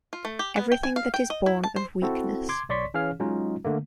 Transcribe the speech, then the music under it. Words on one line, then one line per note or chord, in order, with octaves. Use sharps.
Everything that is born of weakness.
F4
A3
G4
B3
G5
G#5
F5
G5
D#5
E4
A5
C5
C4 E4 F#4 A4
C6 D6 G#6
B1 C#5 D5 C6 C#6 B6
E3 C#4 G#4 C#5 F5 F6
F#3 G#3 C#4 D#4 F4
D3 A3 A#3